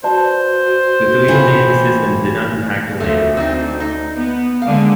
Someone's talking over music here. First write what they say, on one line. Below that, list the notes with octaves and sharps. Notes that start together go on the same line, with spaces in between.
The three remaining systems did not impact land.
F#4 B4 C5 D5 A5
A2 E3 F4
D2 F3 A3
C4 D4 D#4
D#4
B3
D3 G#3 A#3 F5